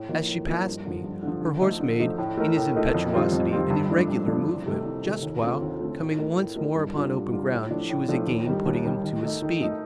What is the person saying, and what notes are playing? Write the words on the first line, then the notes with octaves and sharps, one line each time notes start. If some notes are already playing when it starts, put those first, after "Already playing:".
As she passed me, her horse made, in his impetuosity, an irregular movement, just while, coming once more upon open ground, she was again putting him to his speed.
Already playing: A2
F3 A#3 D#4
A2
F3 A#3 D#4
G2
D3 F3
G2
D3 F3
D3
F3 A3 D#4
D3
F3 A3 D#4
A2
A3 D#4 A#4
A2
A3 D#4 A#4
F2
D#3 G3 C4 F4
F2
D#3 G3 C4 F4
G2
F3 A3 D4
G2
F3 A3 D4
C2
C3 D#3 A3
C2
C3 D#3 A3
D#2
D3 A3 C4 F4
D#2
D3 A3 C4 F4
A2
A3 D#4 A#4
A2
A3 D#4 A#4
G2
D3 G3 D4 F4
G2
D3 G3 D4 F4
A2
F3 A3 D4
A2
F3 A3 D4
D#2
D#3 G3
D#2
D#3 G3
D#3
A3 D#4
D#3
A3 D#4